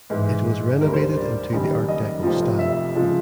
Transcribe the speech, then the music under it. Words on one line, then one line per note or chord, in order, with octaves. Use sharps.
It was renovated into the Art Deco style.
G#2 E3 G#3
D2 D3 G3 A#4
C5
D5
F#1 F#2 D#3 G3
D#5
F1 F2 C3 F3
E5
C#3 F3 G#3